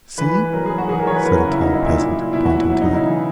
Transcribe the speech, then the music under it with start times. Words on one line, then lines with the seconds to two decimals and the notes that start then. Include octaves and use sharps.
"See!" said a tall peasant, pointing to it.
0.18 E3 B4
0.35 E3
0.53 F#3 A#4
0.66 G#4
0.72 F#3
0.78 F#4
0.89 E3 G#4
0.99 A#4
1.07 E3 C#5
1.16 B4
1.25 F#3 A#4
1.37 F#4
1.43 C#3
1.50 E4
1.61 F#3 D#4
1.73 E4
1.79 A#2
1.85 E4
1.97 F#3 E4
2.16 A#2
2.33 B2 E4
2.45 F#4
2.51 F#3
2.57 E4
2.70 F#3
2.81 D#4
2.87 C#3
2.94 E4
3.05 E3